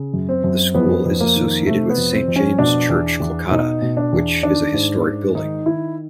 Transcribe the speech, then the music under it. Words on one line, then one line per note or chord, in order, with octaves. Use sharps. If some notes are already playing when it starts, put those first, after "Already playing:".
The school is associated with Saint James' Church, Kolkata, which is a historic building.
Already playing: C#3
F#2
C4
F#2
F2 B3
F2
A#3
D#3
C3 A3
B3
F2
C4
F2
C#4
B2 D4
E2
E2
B2 D#4
B2
D4
E2
D#3 D4
G#2
G#2
D#3 D#4
D#3 E4